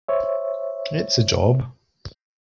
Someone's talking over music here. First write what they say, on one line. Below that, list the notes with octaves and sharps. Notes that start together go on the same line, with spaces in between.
It's a job.
C5 C#5 E5